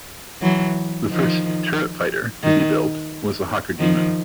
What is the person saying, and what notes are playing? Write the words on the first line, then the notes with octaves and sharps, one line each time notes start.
The first "turret" fighter to be built was the Hawker Demon.
E3 F#3
D#3 F3
D#3
D#3 F3